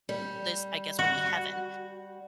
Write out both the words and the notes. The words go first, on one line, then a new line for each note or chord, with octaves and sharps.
this, I guess, would be heaven.
G3
F#4